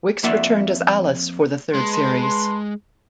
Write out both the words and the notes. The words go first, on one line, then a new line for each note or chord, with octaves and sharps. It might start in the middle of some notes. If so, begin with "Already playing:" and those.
Wix returned as Alice for the third series.
F2 F3 A#3 D5 E5 F#5
G#3 B4 A5 C6